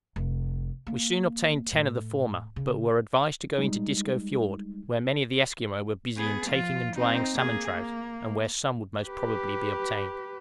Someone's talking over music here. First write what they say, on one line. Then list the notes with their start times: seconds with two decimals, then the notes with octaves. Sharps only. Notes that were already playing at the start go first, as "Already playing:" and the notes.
We soon obtained ten of the former, but were advised to go into Disco Fiord, where many of the Esquimaux were busy in taking and drying salmon-trout, and where some would most probably be obtained.
0.16 F1
0.87 A#3
1.72 A2
2.56 C#3
3.58 G3 G#3 D#4
6.17 B3 G#4
6.50 F3 F4
6.96 C4 D#4
7.33 A#3 G#4
7.73 A#3
9.06 G4 B4